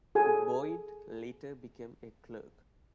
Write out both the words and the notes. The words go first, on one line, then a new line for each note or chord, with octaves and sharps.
Boyd later became a clerk.
G#4 A4 G#5